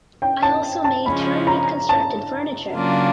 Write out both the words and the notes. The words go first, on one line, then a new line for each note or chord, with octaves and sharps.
I also made turned and constructed furniture.
G5
A5
A5
C#3 F3 G#3 C#4 B5
A#5
A5
C#3 F#3 A#3 D4 F4